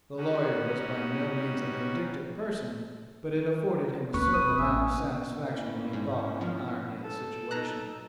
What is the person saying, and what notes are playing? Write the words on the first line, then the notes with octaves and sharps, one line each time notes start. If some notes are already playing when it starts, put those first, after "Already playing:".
The lawyer was by no means a vindictive person, but it afforded him a certain amount of satisfaction when he thought of the irony of the situation.
G3 C#4 D#4 F#4
D#2 A#3 C#4 B4 C#6
G1 D#6
A1 C#4 E5
G#1 E3 A#3 C4 C#4
G#2
F3
A4
F#3 D#4 A#5 F#6